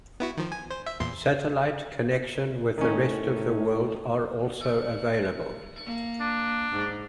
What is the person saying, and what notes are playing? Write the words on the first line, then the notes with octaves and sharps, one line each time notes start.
Satellite connection with the rest of the world are also available.
B3 E4 F#4
D#3 F3
G#5
C5
E5
E2 A#2 C6
A2 D#3 C#4
A#3
D4
G#2